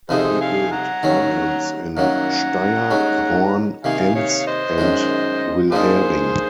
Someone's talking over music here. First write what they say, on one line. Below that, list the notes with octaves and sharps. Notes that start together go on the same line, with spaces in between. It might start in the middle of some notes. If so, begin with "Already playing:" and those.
He built organs in Steyr, Horn, Enns, and Wilhering.
F2 C3 F3 C4 D#4 G#4 C5
F5 G#5
F#5 A#5
D#2 D#3 F#3 C#4
F#2 D#3 F#3 A#3 F#5 A#5
D#2 D#3 G#3 C#4
C3 D#3 A#3 F5 G#5
C#5 F5
F5
C5 D#5
F#2 D#3 G#3
A#1 A#2 F3 A#3 D#4 G#4 C5